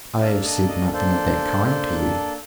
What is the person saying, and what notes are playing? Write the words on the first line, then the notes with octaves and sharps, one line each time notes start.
"I have said nothing of that kind to you."
A#3 D4 A4 F5
D#5
D#5
A#3 D4 A4 C5
A#3 D4 A4